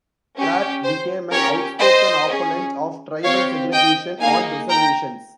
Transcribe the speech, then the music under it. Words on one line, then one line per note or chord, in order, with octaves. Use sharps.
Pratt became an outspoken opponent of tribal segregation on reservations.
C#4 G4
C5
C#4 G4 A#4 C#5
C5 D#5
C#4 G#4
C4 G4 C#5 F5
D#5 G5
A#3 D#4 G#4 F5 G#5
G5 A#5